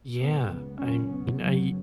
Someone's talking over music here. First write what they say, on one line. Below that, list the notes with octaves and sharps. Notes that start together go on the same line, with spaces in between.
Yeah, I mean, I
B1 A#2 B3
C#2 C#3
F#1 E2 B2 C#4
C#2 B2 B3
F#1 F#2 C#3 F#3